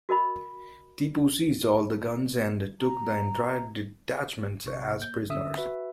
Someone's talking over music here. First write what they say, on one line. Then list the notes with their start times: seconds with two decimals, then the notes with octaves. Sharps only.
Tipu seized all the guns and took the entire detachment as prisoners.
0.09 F#4 A#4 D#5 B5
2.81 A#5
4.64 A#1 C3 C#6
4.98 A#3 G6
5.30 D3 C#4 E5 D#6 E6
5.57 F#4 B4 E5